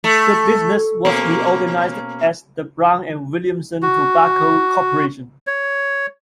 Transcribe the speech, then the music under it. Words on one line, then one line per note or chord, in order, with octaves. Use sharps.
The business was reorganized as the Brown and Williamson Tobacco Corporation.
A3
B2 A#3 C#4
F#4
C#5